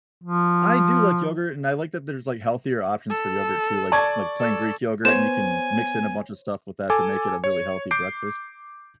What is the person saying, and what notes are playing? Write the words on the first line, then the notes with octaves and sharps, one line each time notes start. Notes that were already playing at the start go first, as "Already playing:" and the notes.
I do like yogurt, and I like that there's, like, healthier options for yogurt too, like like plain Greek yogurt, and you can mix in a bunch of stuff with that to make it a really healthy breakfast.
F3
A4
D5 A5 C#6 G#6
A4
B3 C5 C#5 G#5 E7
A4 G#5 D6
C#5
D6 G6 C7 D7